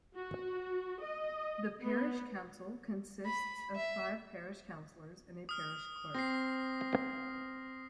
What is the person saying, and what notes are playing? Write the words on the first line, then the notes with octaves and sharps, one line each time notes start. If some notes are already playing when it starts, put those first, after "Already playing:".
The parish council consists of five parish councillors and a parish clerk.
F#4
D#5
B3
B5
E5
D#6 F6
C4 A#6 C7